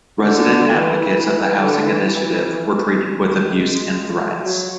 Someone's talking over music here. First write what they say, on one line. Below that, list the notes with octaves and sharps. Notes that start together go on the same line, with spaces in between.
Resident advocates of the housing initiative were treated with abuse and threats.
D3
E3
D3
E3
G#3
F#3